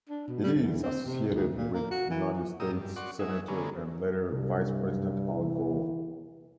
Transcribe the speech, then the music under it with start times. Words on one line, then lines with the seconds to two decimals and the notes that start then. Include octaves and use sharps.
It is associated with United States Senator and later Vice-President Al Gore.
0.09 D4
0.28 B2
0.43 G3
0.58 E2
0.83 C4
1.05 C3
1.32 D2
1.55 A#2
1.73 A#3
1.91 F#4
2.10 E3
2.34 F3
2.60 A#2 G4 D#5 A#5 D#6 E6
2.72 G2
2.96 F#4 D5 F#5 C6 C#6
3.19 F#3 D#4 G#4 E5
3.48 D3 G#3 A#3 B3 C#4
4.32 C2 G2
5.32 E3